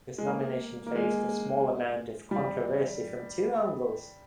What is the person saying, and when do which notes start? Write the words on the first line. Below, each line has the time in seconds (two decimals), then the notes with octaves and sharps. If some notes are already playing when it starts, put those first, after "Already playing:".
His nomination faced a small amount of controversy from two angles.
0.18 G#3
0.27 A#3
0.87 A#3
0.95 G#3
2.31 G3